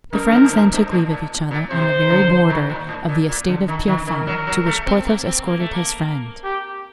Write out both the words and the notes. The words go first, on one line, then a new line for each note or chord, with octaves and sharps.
The friends then took leave of each other on the very border of the estate of Pierrefonds, to which Porthos escorted his friend.
F#2 A#4
G2
A2
G2
G2
A2
A#2
A#2
C3 C5
D3
D#3
A#2
A2
A#2
A#2
D3
D#3
D#3
D#3 A#4
F#3
F#3
A3
C4
A#3
C4
A#3
A3
A#3
G4